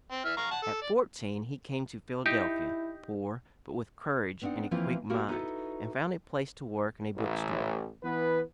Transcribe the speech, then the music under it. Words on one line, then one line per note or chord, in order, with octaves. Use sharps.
At fourteen he came to Philadelphia, poor, but with courage and a quick mind, and found a place to work in a bookstore.
C4
E3 E5 F6
F5 A#5 C#6
F#5 A5
A4
D5
D#4 E4 G4
B3 C4 D4 D#4 F#5
E3 F3 A#3 C4 E4 F4
A#3 F#4 G4 A#4
D#4 E4 F#4 G4 A4 B4
A1
E3 B3 B4